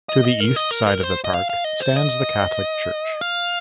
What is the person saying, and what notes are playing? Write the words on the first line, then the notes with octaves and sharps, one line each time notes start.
To the east side of the park stands the Catholic church.
D#5
D#5
A#4
D#5
A#4
A#4
C5
D#5
F5
F5
D#5
C5
D#5
F5